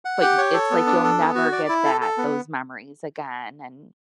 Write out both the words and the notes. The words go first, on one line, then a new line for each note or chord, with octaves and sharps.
but y it's, like, you'll never get that those memories again and.
F#5
G4
C#5
A4
B3
D4
A4
B3
F#4
D5
E4
A4
A4
B3